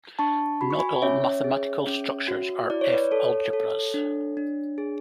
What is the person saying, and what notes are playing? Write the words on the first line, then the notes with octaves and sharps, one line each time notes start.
Not all mathematical structures are F-algebras.
D4 A5 C#6
F#4 B5
C#6
G#5 B5
C#4 C#5 E5
G#4
C#4
F#4
E4 D5
C#5
B4 D5
A4 C#5
A4
D4
D4
G#4